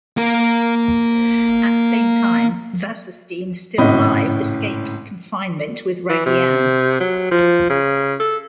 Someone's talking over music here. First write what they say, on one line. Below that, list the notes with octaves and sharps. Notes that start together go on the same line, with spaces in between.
At the same time, Wasserstein, still alive, escapes confinement with Raggy Ann.
A#3 A#4
G#1 A2 C#3 D#5 B5
E3
C3
F#3
F3
C#3
A4